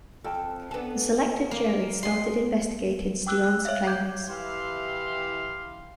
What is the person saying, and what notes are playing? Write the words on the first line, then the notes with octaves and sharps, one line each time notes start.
The selected jury started investigating Steorn's claims.
F2 A4 G5 A5
B3 D4 A4 G#5
A#3
G3 G#4 C6
G5 D6 E6 F#6
F#6
C#5 E5 F5
D6 G6 G#6
E3 E4 G4 F5 C6